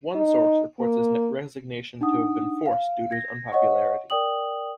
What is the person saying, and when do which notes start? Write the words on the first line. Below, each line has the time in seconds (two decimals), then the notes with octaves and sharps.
One source reports his resignation to have been forced due to his unpopularity.
0.15 D#4
0.79 A#3
2.01 D4 D#4 F#5 D#6
2.66 F5
3.11 G#6 A#6
3.52 C#5 D#5 F#5 C#6
4.10 A#4 D5 G5 D#6 F#7